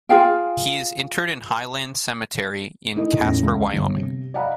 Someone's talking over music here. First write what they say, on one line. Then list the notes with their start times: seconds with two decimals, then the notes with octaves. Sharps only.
He is interred in Highland Cemetery in Casper, Wyoming.
0.09 F4 G#4 F5 G5
2.96 A3 D#4 E4 A#4 D#5
3.19 E2 A2 C#4 A#6
3.43 C#2
3.73 G1
3.96 C3
4.34 D5 D#5 F5 F#5 A#5 B5